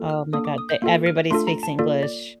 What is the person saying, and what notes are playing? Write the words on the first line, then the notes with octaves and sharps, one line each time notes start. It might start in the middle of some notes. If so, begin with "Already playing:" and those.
Oh my god. Th everybody speaks English.
Already playing: A#3 F4 A4
F6
A#3 D4 A4 D#6
D6
D#6
G6
A#3 F4 A4
F6
A3 D4 F4 A4 C6
A#5
A5
A#3 F4 A4 D5
D5